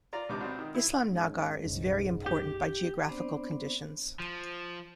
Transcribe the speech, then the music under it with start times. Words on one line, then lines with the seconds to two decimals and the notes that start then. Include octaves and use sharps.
Islamnagar is very important by geographical conditions.
0.13 F4 D5 A#5
0.29 C#2 C3 C4 D4 D6
0.41 B1 C4
0.59 D#3
0.75 E4
1.09 G#2 C#4
1.66 F#1 B1
2.26 G4
3.07 B3 C4 D4 C5 D5
4.20 F3